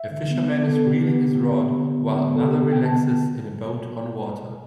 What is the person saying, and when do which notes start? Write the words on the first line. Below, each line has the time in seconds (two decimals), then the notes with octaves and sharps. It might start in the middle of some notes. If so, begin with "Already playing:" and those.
A fisherman is reeling his rod while another relaxes in a boat on water.
Already playing: E5
0.11 D3
0.31 B3
0.49 D3 D5
0.68 B3 A4
0.86 D3 G4
1.05 B3
1.23 D3
1.43 B3
1.61 D3
1.79 B3
1.99 D3
2.16 B3
2.35 D3 A4
2.48 G4
2.55 B3
2.60 A4
2.73 D3 G5
2.85 A5
2.92 B3